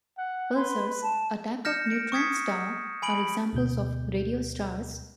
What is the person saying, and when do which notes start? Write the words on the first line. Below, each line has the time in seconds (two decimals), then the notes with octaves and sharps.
Pulsars, a type of neutron star, are examples of radio stars.
0.18 F#5
0.55 B4 C6
1.03 A5
1.65 F6 G6 A#6 C#7 E7
1.87 C#7 D7
2.12 C#6 D#6 G#6 B6 C#7
3.02 G#5 B5 D7 F#7
3.53 D2 B2 G6